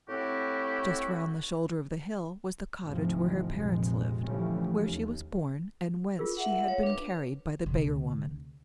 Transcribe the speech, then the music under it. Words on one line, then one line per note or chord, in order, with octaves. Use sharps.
Just round the shoulder of the hill was the cottage where her parents lived, where she was born and whence she had been carried by the beggar-woman.
A2 C4 E4 F#4 G4
G#1 D2 C3 E3 F3 G#3
A#1 F2 C3 G#3
D3 E3 F3 G3 A3 C#4
D#2
F4 G#4 A#4
E5 F#5
C#5 F5
D4 B4
D2 C3